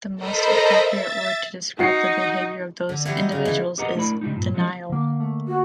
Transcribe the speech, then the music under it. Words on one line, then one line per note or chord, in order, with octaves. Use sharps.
The most appropriate word to describe the behavior of those individuals is 'denial'.
A4 A#4 C5 D#5 A#5 B5
E5 A6
D#4 F#4 C7 C#7
D3
E3 F#3 G3 B3 E4
D#4
C#3
E3
G4 G#4 B4 D#5 F#5 A#5
A3 D4 E4 A#4 D5 B5
C#3 G3 G#3 D4 D#4
G2 A#2
F3 F#3 G#3 C#4 D#4
D3 A#3
A3
F#4